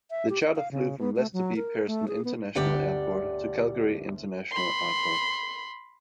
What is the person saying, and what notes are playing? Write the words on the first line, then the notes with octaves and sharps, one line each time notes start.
The charter flew from Lester B. Pearson International Airport to Calgary International Airport.
E5
G4
D#5
F5
C#3
B3
A3
F#3
A#4
A3
G#4
B3
G1 D2 G4 D5 F#5
B5 C6